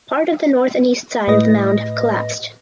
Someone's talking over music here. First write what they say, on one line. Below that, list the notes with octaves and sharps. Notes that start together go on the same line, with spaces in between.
Part of the north and east side of the mound have collapsed.
A2 B4 D#5 A#6